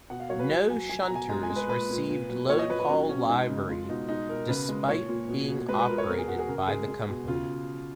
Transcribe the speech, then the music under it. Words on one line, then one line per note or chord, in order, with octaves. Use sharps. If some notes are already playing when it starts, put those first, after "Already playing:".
No shunters received Loadhaul livery despite being operated by the company.
B2 F#5
F5
F#3 C#5
B4
F#3
F#3 G#5
F#3 G#5
A#5
B2
G#5
G#3 A#5
G#5
G#3
B4
A#2 B4
A#2
A#2
F#3
A#2 C#5
D#5
A#2 B4
B4
F#3 C#4
B2 C#4
G#3 D#4
C#3
G#3 F4
B2 D#4
G#3 D#4
B2 A#4
C#3 B4
G#3
A#2 C#5
A#2
B2
B2
G#3 B4
B4
F3 A#4
C#5
B2 A#4
G#4
F#3 F#4
G#4
C#3 A#4
G#3 G#4
G#3
B2
C#3 F4